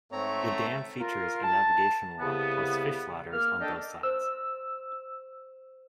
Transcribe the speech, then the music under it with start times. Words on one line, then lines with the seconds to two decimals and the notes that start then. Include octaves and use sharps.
The dam features a navigation lock plus fish ladders on both sides.
0.12 G#2 A3 C4 C#5 A#5
1.00 F4 A#4
1.43 A5
2.20 C2 C#3 B3
3.33 A#3 F6
3.61 D4 A4 D#5 G5 A5
4.03 C5 E6